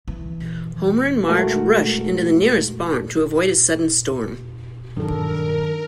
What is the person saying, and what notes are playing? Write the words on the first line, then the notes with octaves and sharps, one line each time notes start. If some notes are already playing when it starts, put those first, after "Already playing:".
Homer and Marge rush into the nearest barn to avoid a sudden storm.
E3
G#3 A3 F#4 A#4
G2 D#3 F#3 D4 A4 A#4